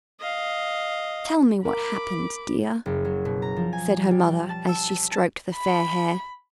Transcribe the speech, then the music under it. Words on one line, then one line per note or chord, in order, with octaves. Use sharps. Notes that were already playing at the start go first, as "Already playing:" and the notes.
"Tell me what happened, dear," said her mother, as she stroked the fair hair.
D#5 F5
A#4 B5 D6
F#1
F#3
B2
A#5
F3
G#5
G3
A5
E6
B6
A5
B5